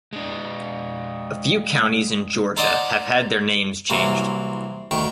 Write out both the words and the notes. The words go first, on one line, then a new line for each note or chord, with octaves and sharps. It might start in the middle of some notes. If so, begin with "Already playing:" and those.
A few counties in Georgia have had their names changed.
G#3 D4
D#4 A4 C5 D5 D#5 F#5
C2 E3 F#3 A#3 C4
D2 D#3 G5 C#6